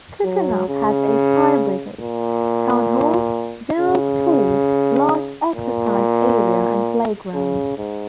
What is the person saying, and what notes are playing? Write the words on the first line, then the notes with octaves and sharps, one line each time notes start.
Cookernup has a Fire Brigade, Town Hall, General Store, large exercise area and playground.
F#3
C#3
A#2
C#3
A#2
C#3
G#2